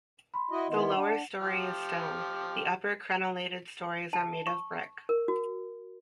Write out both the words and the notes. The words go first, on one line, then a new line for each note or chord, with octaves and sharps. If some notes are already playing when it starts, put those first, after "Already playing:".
The lower story is stone; the upper crenelatted stories are made of brick.
B5 C6
E4 F#4 D#5
D#3 B3 E4 D#5 C6
D4 F#5
F3 G4 F6
A5
C#6
A#4
F#4